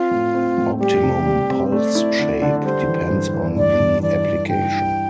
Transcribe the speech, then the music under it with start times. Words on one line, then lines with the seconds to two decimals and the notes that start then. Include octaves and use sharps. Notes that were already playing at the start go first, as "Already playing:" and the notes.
Optimum pulse shape depends on the application.
Already playing: C4 F4
0.11 A2
0.34 C4
0.58 A2
0.80 G3 G4
1.03 C3
1.26 G3
1.50 C4
1.72 A3 D5
1.95 E4
2.19 D3
2.42 D3
2.64 G3 C5
2.88 E3
3.11 G2
3.34 E3
3.56 G2 D5
3.80 G2
4.03 E3 D5
4.26 E3
4.49 G2 G5
4.72 E4